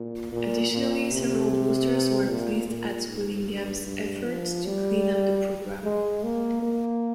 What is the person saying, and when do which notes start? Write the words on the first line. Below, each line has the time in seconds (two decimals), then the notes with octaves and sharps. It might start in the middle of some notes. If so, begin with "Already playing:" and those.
Additionally, several boosters were pleased at Willingham's effort to clean up the program.
Already playing: A#2
0.32 A#2
0.71 A#2
1.11 C3
2.29 A#2
2.69 A#2
3.08 G#2
3.47 G2
3.87 G2
4.26 F3
4.66 G3
5.84 G#3
6.24 A#3
6.62 A#3